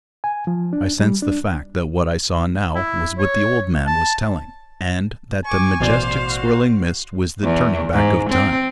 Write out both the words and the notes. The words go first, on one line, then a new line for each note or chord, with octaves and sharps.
I sensed the fact that what I saw now was what the old man was telling, and that the majestic, swirling mist was the turning back of time.
G#5
F3
D4
G3
D4
E4
C#5
A5
G#5 C#6 D6
A1 B2 C5 D5 F5 C6
F#4
E2
G#2
C4